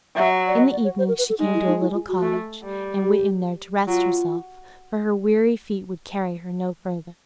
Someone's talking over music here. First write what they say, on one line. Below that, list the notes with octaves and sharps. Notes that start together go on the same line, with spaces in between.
In the evening she came to a little cottage, and went in there to rest herself, for her weary feet would carry her no further.
F#3 E5
D5
D#5
D5
C#5
C5
A#4
B4
A4
G#3 D#4
E4
D#4
E4
F4
F#4
A3
G3
G4
F#3 F4